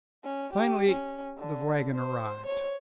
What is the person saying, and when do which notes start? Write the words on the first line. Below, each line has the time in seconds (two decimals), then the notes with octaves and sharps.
Finally the wagon arrived.
0.24 C#4
0.53 G4
0.89 C#4
1.38 D3
1.96 C5
2.46 C#5